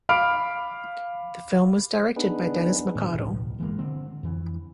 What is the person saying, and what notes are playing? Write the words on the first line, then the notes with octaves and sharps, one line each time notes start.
The film was directed by Denis McArdle.
F5 B5 D6 F6 D7
B3 D4 D#4 G#4 B4
A2 D#3
D1 B1 A2 F3
G1 E3 G#3 A#3
D3 C4
F2 E3